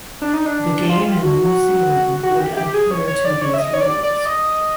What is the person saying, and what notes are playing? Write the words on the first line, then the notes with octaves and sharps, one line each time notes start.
The game in New Zealand would adhere to these rules.
D4
D#4
D4
F4
F#4
F#4
G4
G4
G#4
C#5
C#5
D5
C#5
E5
D#5
C#5
D5
D5
D#5